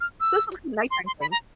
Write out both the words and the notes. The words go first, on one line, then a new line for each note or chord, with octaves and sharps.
Just a little nighttime thing.
F6
E6
C6
C6
B5
A#5